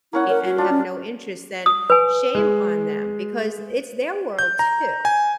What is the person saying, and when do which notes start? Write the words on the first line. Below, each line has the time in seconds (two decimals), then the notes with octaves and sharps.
and have no interest then, shame on them, because it's their world too.
0.13 A#3 C#4 E4 F#5
0.30 A#4
0.45 F#4
0.58 D4 F4
0.70 C#4
1.66 D#6
1.90 B4 G#5
2.35 G#3
4.39 G6
4.59 A#5
5.05 G#5